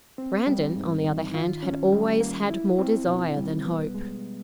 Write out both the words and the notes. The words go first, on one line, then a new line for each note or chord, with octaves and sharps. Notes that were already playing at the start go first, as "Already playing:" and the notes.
Brandon, on the other hand, had always had more desire than hope.
C4
G3
G#2
D#3
F4
C#4
G3
A#3
E4
C4
B2
G3
B3
G#3